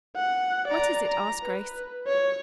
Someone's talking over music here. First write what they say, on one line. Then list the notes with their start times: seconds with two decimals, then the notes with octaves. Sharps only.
"What is it?" asked Grace.
0.16 F#5
0.67 D5 A#5
1.07 A#5
1.44 B4
2.07 C#5